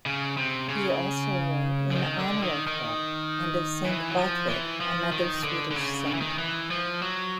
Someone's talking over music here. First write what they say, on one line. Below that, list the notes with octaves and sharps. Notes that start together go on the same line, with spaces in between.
He also wrote in honour of her and of Saint Botvid, another Swedish saint.
C#3
C3
C#3
D3
D#3
D3
D#3
D#3
E3
F#3
F3
E3
F3
D#3
D3
D3
C#3
D#3
E3
D#3
E3
F3
F#3